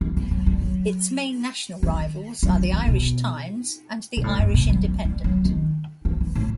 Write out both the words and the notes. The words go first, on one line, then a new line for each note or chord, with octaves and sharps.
Its main national rivals are "The Irish Times", and the "Irish Independent".
D#3
E3
F#3
G3
F#3
D#3
F#3
E3
D#3
B2
B2
A2
G2
B2
F#3
G3
G3
F#3
D#3
E3
E3
A2